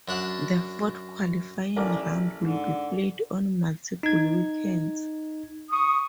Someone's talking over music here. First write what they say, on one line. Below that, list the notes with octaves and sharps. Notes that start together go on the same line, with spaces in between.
The fourth qualifying round will be played on multiple weekends.
F#2 D4 F#5
A1 A#4 D5
G#2 D3
D#4 G#6
C#6 D#6